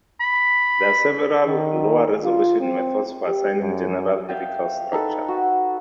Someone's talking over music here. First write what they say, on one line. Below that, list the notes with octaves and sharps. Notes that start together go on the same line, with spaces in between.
There are several lower-resolution methods for assigning general helical structure.
B5
D#3
F4
C4
G4
F#2
E5 F5 G5
D#4 A4 B4
F#4